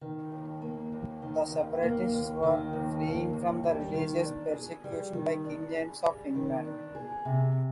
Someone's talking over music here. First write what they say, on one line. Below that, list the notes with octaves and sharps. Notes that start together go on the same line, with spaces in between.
The Separatists were fleeing from religious persecution by King James of England.
D#3
D#2
A#3
D#2
D#3
D#2
A#3
D#2
D#3
D#2
A#3
D#2
G3
D#3
D4
G#4
G3
D#3
D4
G#4
G3
D#3
D4
G#4
C3